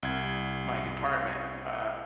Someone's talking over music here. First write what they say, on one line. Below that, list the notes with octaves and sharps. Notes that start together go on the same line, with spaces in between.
my department, uh
C2 G#6